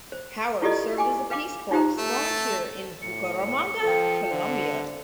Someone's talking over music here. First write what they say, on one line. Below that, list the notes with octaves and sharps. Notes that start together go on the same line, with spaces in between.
Howard served as a Peace Corps volunteer in Bucaramanga, Colombia.
C5
E4 F4 G4 A4 D5 D#5
G4 G5 G#5 D6
B4 F5 G5 D6
D#4 F4 G4 C5 G5 A#5
A3 A5
A2 C#7
F3 A4 G5
D3 C5